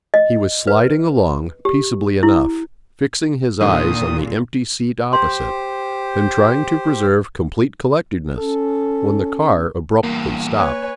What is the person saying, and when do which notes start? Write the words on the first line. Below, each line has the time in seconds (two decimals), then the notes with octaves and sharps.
He was sliding along peaceably enough, fixing his eyes on the empty seat opposite, and trying to preserve complete collectedness when the car abruptly stopped.
0.14 D#5
0.67 B4
1.65 G4
2.23 E4
3.61 A#2 D3 D#3 D#6
5.13 G4 C5 C6
8.39 C#4 A4
10.03 E2 G2 A#3
10.56 B4 C#5 G#5